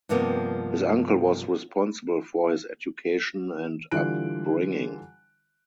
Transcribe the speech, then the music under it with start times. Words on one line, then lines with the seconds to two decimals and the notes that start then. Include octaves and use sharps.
His uncle was responsible for his education and up bringing.
0.09 G2 C3 F3 A#3 B3
3.91 D3 E3 G3 F4 F#6 D7